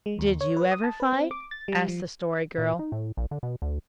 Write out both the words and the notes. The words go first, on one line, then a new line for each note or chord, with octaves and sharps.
"Did you ever fight?" asked the Story Girl.
G#3
D#2
C#5
B4
D#6
A5
B4
C4
D6
A6
G3
F3
A#2
D#4
A2
A#1
D3
B2
D2